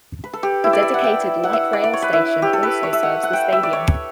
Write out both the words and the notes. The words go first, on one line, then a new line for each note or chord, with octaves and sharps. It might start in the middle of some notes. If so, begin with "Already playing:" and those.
A dedicated light rail station also serves the stadium.
B4
A4
G4
E4
D5
E5
F#5
G5
F#5
E5
D5
D5
C#5
B4
E4
G4
A4
B4
C#5
E5
F#5
F#5
G5
E5
D5
C#5